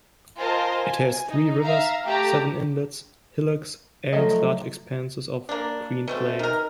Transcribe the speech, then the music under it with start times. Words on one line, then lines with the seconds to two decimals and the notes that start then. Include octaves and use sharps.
It has three rivers, seven inlets, hillocks and large expanses of green plain.
0.38 F4 A#4 C5 D#5 G#5 A5
0.74 G#5
1.27 D#4
1.63 E5 F5 A#5
2.04 A3 G4 A5 A#5
4.13 F3 F#3 A3 D#5
5.49 A#3 D4
6.08 B2 A3 C4
6.39 D#3 A#4